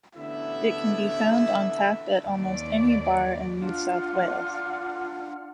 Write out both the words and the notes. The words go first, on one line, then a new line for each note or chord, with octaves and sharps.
It can be found on tap at almost any bar in New South Wales.
A1 D3 B3 D4 E4 E5
D#2 D5
D4 F4 F#5 F6